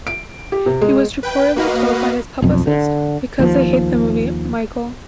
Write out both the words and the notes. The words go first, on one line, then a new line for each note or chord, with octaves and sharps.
He was reportedly told by his publicist, Because they hate the movie, Michael.
D7
G4
C3
G#3
B4 G5
A#3 F#4 B4 D#5 F5
B1 F2
D3
D#2 F3